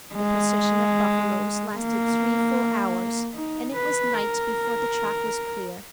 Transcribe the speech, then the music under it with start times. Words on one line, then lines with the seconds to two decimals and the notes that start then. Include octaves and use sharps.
The procession of buffaloes lasted three full hours, and it was night before the track was clear.
0.15 G#3
1.75 A#3
3.34 D#4
3.75 B4
4.14 A#4